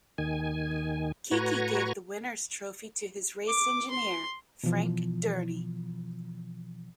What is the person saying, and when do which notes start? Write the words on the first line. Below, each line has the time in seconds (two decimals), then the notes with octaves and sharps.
Keke gave the winners trophy to his race engineer, Frank Dernie.
0.18 D#2 D#3 G#5
1.31 A2 F#4 B4 A#5 C#6 G#6
3.48 D6
3.91 C6
4.64 B2 E3 F3